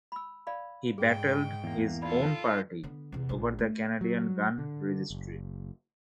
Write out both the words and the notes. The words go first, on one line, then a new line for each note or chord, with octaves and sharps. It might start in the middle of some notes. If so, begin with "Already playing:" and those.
He "battled his own party" over the Canadian gun registry.
B5 E6
D5 F5 B5
G#2 G#4 G5
E2 A#3
D#4 F4 A4 D5 B5
D3 B3
E2 C3
A#1 F3
A3
F#3
D3
F#1